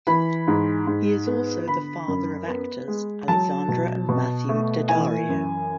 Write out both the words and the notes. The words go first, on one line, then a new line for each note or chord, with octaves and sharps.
He is also the father of actors Alexandra and Matthew Daddario.
E3 B5
G#2
G#2
B3
D3 B5
F#2
B3
G#3
F#3 A5
B2
B2
A3
E3 G#5
F#2